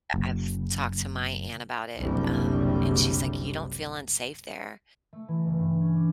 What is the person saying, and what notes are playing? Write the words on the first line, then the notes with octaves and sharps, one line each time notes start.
yeah, I've talked to my aunt about it, um, and she's like, "You don't feel unsafe there?"
F#1
F#1 C2 D3 G3
A3
E3
F#1
G2
C#4
D4